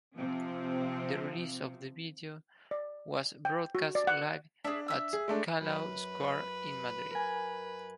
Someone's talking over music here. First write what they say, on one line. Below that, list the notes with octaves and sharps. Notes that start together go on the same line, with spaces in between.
The release of the video was broadcast live at Callao Square in Madrid.
C3 F3 C4
D5
G5
F#4
D5
F#5
D4 G#4 E5
E5 E6
G#4
G#3 A3 D4
F#2 B4
A#4 G#5